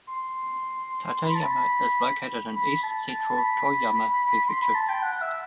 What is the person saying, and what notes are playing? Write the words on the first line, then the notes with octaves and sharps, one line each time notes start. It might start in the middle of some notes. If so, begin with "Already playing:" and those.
Tateyama is located in east central Toyama Prefecture.
C6
C6
B5
A5
B5
B5
A5
B5
C6
B5
A5
G5
F#5
E5